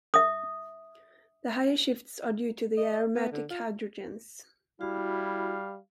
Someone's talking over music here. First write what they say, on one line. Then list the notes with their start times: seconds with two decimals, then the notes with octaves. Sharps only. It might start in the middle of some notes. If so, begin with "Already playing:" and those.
The higher shifts are due to the aromatic hydrogens.
0.14 E5 D#6
2.77 D#5
3.15 B3
3.32 D3
3.50 F4
4.81 G3 E4 F#4 F5